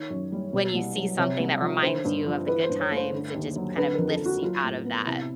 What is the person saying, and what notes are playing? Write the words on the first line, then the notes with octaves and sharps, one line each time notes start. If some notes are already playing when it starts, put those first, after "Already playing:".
when you see something that reminds you of the good times, it just kind of lifts you out of that,
Already playing: D#3 C#5
F#2
G3
B2
C2
F#3
C3 C#5
C2
F3
D3 C5
G2
F3
E3 B4
C5
G2
C#5
A3
C5
D3
D#2
F#3
D3 B4
F2 A#4
A4
F3
F#4
F#3 F4
A2
B3
C3 E4